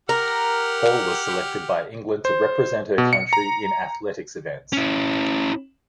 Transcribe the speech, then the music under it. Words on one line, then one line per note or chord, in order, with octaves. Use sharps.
Hall was selected by England to represent her country in athletics events.
G4 A#4 F#5 F6
C5
B2
C#7
A#5
C#4 E4